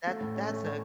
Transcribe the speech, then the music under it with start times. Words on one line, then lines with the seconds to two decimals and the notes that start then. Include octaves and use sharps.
that that's a
0.07 A3
0.21 A2
0.36 C#4
0.50 A3
0.64 A2